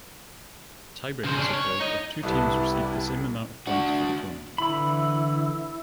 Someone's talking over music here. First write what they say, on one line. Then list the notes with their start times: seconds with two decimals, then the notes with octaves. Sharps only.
Tiebreakers occurred if two teams received the same amount of points for the tournament.
1.24 C#3 C5
1.37 C#4 D4
1.54 C#5
1.80 D#4 D#5
2.23 C2 G3 B3 D4 E4 A4 B4
3.67 D4 F#4
4.58 D3 E3 E4 B5